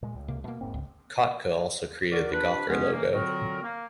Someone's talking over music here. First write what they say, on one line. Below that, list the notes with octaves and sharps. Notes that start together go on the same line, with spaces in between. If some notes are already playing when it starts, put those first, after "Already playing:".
Kottke also created the Gawker logo.
A#2 G#3
C#2
C3 A#3
B2 A3 A#3
E1 G#2 C4
C#2
F#4 A#4 D5
C3 D4 F4 B4
G#3 B3 C#4
C3 E3 A#3
A#2 D3 F#3 C4 F#4 A#4
A#3